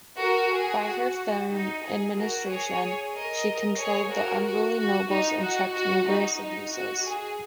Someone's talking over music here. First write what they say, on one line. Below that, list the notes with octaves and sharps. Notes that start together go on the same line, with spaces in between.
By her firm administration, she controlled the unruly nobles and checked numerous abuses.
F#4 A#4
G#4
F#4
D#4
G#4
F#4 A#4
G#4 C#5
A#4 D#5
G#4 C#5
F#4 A#4
F#4
F#4
D#4
F#4
F#4
D#4
D#4
F#4
G#4